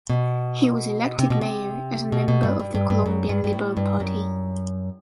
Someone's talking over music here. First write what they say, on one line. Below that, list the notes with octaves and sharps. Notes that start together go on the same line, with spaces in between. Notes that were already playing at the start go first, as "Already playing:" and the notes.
He was elected mayor as a member of the Colombian Liberal Party.
B2
C3
B2
C3
B2
B2
G2
G2
G2
G2
F#2
G2
G2
A2
G2
F#2